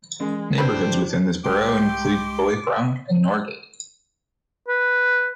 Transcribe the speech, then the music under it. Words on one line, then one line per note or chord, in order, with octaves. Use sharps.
Neighbourhoods within this borough include Bois-Franc and Norgate.
E3 G#3 C#4
A3 D4 G4 A4 B4 C5 B5
C2 G#3 G4 G5 C6 D6
B4